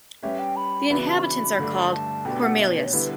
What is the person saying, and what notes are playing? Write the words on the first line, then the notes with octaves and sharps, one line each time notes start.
The inhabitants are called "Cormeillais".
G3 C#4 G4 B4 E5
G5
B5
C#3 E3 B3 D4 F#4 B5
B5
A5
C#6
B5
G2 D3 A3 D4
A5
B2 A3 D4 G4 B4 G5
F#5
E5
C#5
B4
C#5
D3 G3 B3 E4 B4